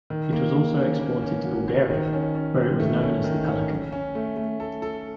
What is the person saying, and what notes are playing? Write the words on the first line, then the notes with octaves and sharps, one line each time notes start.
It was also exported to Bulgaria, where it was known as the "Pelikan".
D#3
A#3
A#3
C#4
A#3
C#4
F#4
F#4
D#3
C#4
C#4
D#3
A3
C#4
D#3
C#4
C#4
C#4
A3
A3
A4
A4